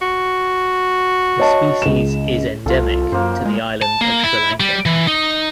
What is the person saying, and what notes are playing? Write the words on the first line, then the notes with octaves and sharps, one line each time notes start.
The species is endemic to the island of Sri Lanka.
F#4
C#5 D#5 A5
C#2 E7
C2 F4 A4
F#2 A#3 C5
G#3
A5
A#3
E4
G3
E3
D#4